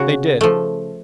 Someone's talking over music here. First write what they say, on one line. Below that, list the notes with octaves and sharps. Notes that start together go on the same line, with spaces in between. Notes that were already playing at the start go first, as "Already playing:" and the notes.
They did.
Already playing: C#3 F#4
F3 A3